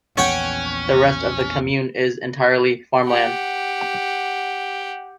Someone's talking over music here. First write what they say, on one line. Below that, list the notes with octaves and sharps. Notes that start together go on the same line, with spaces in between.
The rest of the commune is entirely farmland.
A#1 E2 C#4 C#5 F#5 G5
G4 F#5